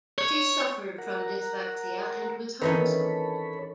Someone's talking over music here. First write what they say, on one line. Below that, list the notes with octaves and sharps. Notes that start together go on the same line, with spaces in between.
She suffered from dyslexia and was home-schooled.
C#5
A#4 F#5 A#5
D#3 E3 C#4 A4 B4 C#5 B5